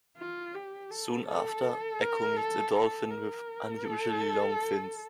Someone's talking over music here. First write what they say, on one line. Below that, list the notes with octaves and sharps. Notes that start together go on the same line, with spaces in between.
Soon after, Ecco meets a dolphin with unusually long fins.
F4
G4
A4
A4
A#4
A4
A4
A#4
A4